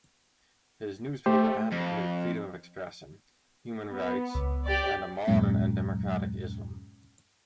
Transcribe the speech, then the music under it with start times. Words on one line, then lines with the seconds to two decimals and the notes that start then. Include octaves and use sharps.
His newspaper advocated freedom of expression, human rights and a modern and democratic Islam.
1.26 A3 G4 C5
1.72 F2
3.92 B3
4.35 C#2
4.66 G4 D5
5.27 E2 G2 A#2 F#3 G#3 C#4